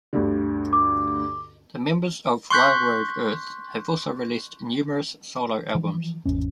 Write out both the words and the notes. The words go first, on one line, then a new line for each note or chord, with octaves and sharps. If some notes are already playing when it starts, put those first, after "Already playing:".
The members of Railroad Earth have also released numerous solo albums.
D2 G2 D3
D6
C6 C#6 F#6 G6 B6
E3 F3
G#1 E2 C#4